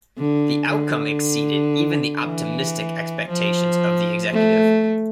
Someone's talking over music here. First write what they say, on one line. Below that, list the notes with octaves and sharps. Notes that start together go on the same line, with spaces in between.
The outcome exceeded even the optimistic expectations of the executive.
D3
D3
E3
F3
A3